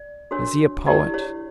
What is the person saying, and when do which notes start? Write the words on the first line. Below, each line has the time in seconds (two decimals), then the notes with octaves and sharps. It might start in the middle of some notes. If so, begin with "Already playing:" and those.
Is he a poet?
Already playing: D5
0.31 D4 F#4 A#4 C#5
0.86 E4 G4 A#4 D5
1.14 C#5